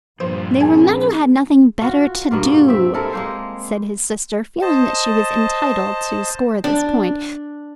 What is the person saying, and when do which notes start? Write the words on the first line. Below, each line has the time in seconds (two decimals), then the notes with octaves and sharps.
"They were men who had nothing better to do," said his sister, feeling that she was entitled to score this point.
0.20 G2 A#2 F3 C5
0.60 C#3 C4 G#5 A5
1.81 F4 F#4
2.31 G2 B2 A#3 F4
2.68 C4 E5
2.94 G#3 E4 A4 A#4
3.13 G#3 A#3 C5
4.62 C5 D#5 A5
6.64 D4